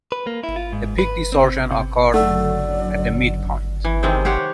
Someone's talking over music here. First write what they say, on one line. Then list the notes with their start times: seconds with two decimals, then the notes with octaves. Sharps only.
The peak distortion occurs at the midpoint.
0.12 B4
0.27 A#3
0.43 E4
0.56 F4
0.73 G#2
0.99 B4
1.32 C4
1.71 C3
2.14 F#1 D3 F#3 A3 D5 F#5 E6
3.85 E3
4.03 C3 D#3 G#3 C4
4.25 G4 C5 C#5 F#5